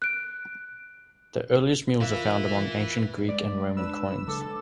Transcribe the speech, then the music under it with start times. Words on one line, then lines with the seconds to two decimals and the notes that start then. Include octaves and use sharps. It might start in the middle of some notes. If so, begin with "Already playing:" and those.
The earliest mules are found among ancient Greek and Roman coins.
0.02 F#6 D7
2.01 F4 A#4 B4 E5 F5
3.29 G#3 D5
3.77 D4 B4 E6
4.28 C#3 F#3 G#3 A4 D6